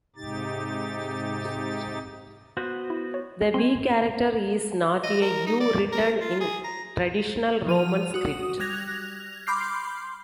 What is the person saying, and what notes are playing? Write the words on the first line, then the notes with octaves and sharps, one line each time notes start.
The 'V' character is not a 'U' written in traditional Roman script.
G#2 C3 D#4 G4 A6
B3 F#4 C5
E4
C#5
C4 G#5 C6
D#5
A#4
D#4
D5
A#4
F4
G#4
A#5
F3 D#7 F7
F#4 D#6
G3 F#6 G#6 A#6 F7
B5 C6 D6 F6 G6 C7